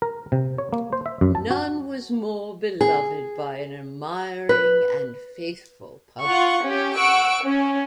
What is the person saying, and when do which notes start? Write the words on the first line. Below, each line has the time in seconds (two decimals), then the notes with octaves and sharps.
None was more beloved by an admiring and faithful public.
0.02 A#4
0.32 C3
0.58 C#5
0.73 A#3
0.93 C5
1.06 E5
1.21 F#2
1.35 A5
1.51 F#4
2.81 G#4
4.49 B4
6.27 F4 F#5 C#6
6.63 C#4 G4
6.97 F#5 C#6 E6 D7
7.43 C#4